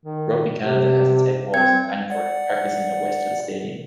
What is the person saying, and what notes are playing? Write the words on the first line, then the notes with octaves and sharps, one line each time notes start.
Rugby Canada has its headquarters in Langford practicing at Westhills Stadium.
D#3
C3
C4 G5 G#6
D5 F#5